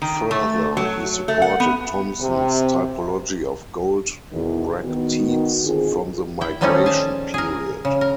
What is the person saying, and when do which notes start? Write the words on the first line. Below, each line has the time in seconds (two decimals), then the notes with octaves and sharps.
Further he supported Thomsen's typology of gold bracteates from the migration period.
0.02 D#3
0.31 A3
0.77 F#3
1.28 A3
1.42 F#5
1.60 B3
2.21 C3
4.32 E2 B2 D#3
4.84 D#3 B3 F#4
5.64 D3 D#3 C4 F4 G#4
6.41 E4 G5
6.61 D#3 F3 G3 A3 C#4 D#4
6.86 G#4 A5
7.34 G#4 A#4
7.85 C#3
8.01 A#4